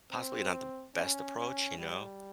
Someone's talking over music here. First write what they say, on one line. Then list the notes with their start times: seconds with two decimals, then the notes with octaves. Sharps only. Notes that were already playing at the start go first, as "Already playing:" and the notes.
possibly not the best approach, you know,
0.12 C4
0.96 C#4
1.37 C#4
1.78 G3